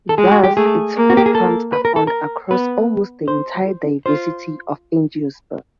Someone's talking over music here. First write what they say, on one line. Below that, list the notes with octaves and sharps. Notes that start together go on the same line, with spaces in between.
Thus, its foodplants are found across almost the entire diversity of angiosperms.
A4
G#3 G#4
F#4
G4
A3 G#4
A#3
F#4
G4
G#4
A4
B4
A#4
A4
A#4
B3 B4
C5
F4 C5